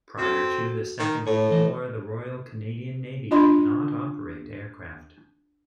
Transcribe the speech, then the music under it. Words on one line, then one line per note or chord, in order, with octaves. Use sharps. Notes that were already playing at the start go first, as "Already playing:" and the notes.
Prior to the Second World War the Royal Canadian Navy did not operate aircraft.
C4 F#4 A4
D#3
A2 C#5
E3 C5 D#5
D4 F4 D#5 B5 C6